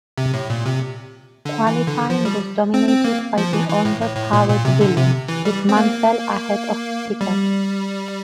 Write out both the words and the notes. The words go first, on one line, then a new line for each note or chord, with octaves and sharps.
Qualifying was dominated by the Honda powered Williams, with Mansell ahead of Piquet.
C3
A2
A#2
C3
D3
E3
D3
F3
G3
C4
C4
A#3
F3
E3
E3
A2
A2
A2
A#2
A#2
C3
D3
C3
E3
G3
C4
A#3
G3